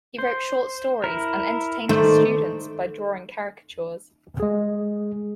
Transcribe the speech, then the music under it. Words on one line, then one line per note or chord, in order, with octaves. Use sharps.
He wrote short stories and entertained his students by drawing caricatures.
C5
E4 A#4
D#3 A3 C5 D5
G#3 G#4